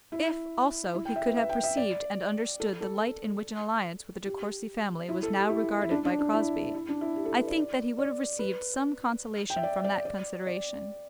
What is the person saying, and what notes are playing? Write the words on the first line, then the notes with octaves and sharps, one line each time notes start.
If, also, he could have perceived and understood the light in which an alliance with the De Courcy family was now regarded by Crosbie, I think that he would have received some consolation from that consideration.
E4
E4
G5
E5
B4
E5
G5
E5
D5
A4
A4
G4
E4
A4
G4
E4
E4
D4
D4
D4
E4
E4
D4
E4
G4
A4
B4
D5
D5
D5
B4
G5
E5
D5
D5
D5
D5